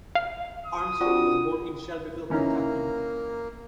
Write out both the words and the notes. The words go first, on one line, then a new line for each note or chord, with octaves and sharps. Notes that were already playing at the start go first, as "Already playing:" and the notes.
Armstrong was born in Shelbyville, Kentucky.
F5
D#6
C4 D4 F4 F#4
E3 A#3 C#4 D#4